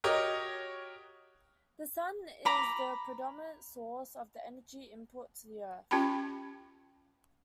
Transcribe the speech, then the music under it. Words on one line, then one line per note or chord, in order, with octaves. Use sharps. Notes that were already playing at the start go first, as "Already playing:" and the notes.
The Sun is the predominant source of energy input to the Earth.
F#4 G4 A#4 C#5 D#5
A#5 B5 D6
C#4 F4 G4 G5 A5 B5